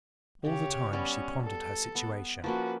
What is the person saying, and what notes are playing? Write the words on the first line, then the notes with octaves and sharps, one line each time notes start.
All the time, she pondered her situation.
C#3 G4 C#5
G3 B3 C#4
A4
B3
F3 A#3 C#4 F#4 B4